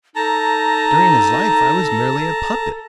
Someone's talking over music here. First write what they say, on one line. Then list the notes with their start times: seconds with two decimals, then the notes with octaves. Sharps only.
During his life I was merely a puppet.
0.16 D#4 A4 A5 A#5